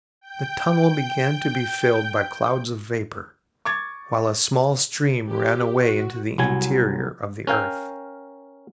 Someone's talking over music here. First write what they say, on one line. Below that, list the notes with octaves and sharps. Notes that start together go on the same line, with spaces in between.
The tunnel began to be filled by clouds of vapor, while a small stream ran away into the interior of the earth.
G5 G6
C#6 D6 G#6 A6
G4
F#4
C2 F#3 G#5
C#4 A#4 F5 G5